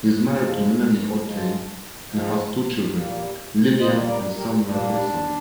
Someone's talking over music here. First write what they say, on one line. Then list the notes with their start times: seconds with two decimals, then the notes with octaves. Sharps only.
He is married to Melanie Otey and has two children: Lillian and Samuel Hixon.
0.36 G#2 F3 G#3
1.23 G#2 F3 G#3
2.09 G#2 F3 G#3
2.94 A#2 G3 A#3
3.79 A#2 G3 A#3 C5 D#5
4.07 A#4 D5
4.36 G4 A#4
4.65 A#2 G3 A#3 D4